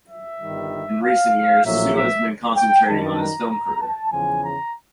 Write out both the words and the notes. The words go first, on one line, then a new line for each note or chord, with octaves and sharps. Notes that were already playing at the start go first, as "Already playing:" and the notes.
In recent years, Su has been concentrating on his film career.
E5
G1 G2 D#3 G3
F5
A#1 A2 F#3 A#3 E5
E5
G5
F#2 D#3 G3 A5
A#5
A#5
A5
E2 C#3 F3 G#5
A#5